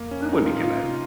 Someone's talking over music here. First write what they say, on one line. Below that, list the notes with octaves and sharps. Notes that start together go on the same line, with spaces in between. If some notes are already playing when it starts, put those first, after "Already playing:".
That wouldn't be too bad.
Already playing: F2 A#3
C#4
D#4
F4
A#2 D#4
A2 F4
C3